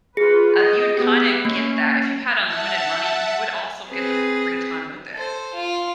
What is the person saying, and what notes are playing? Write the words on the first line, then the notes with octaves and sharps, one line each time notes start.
uh, you would kinda get that if you had unlimited money, you would also get the fr free time with it
F4 G#4 B4
D#5
B3 G4
A#3 C#4
E5 F#5 A5
C4 G#4 B4
A4 C5
F4